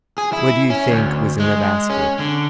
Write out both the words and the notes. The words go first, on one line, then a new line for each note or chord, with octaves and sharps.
What do you think was in the basket?
G#4
E4
C#4
D2
G#3
C#4
D3